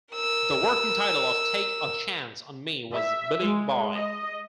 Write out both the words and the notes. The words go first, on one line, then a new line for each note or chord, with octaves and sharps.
The working title of "Take a Chance on Me" was "Billy Boy".
A#4 E6
E5
G#3
D#5